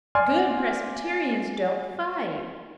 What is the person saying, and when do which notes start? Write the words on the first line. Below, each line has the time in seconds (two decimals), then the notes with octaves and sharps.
"Good Presbyterians don't fight."
0.15 D5 G#5 C6 F6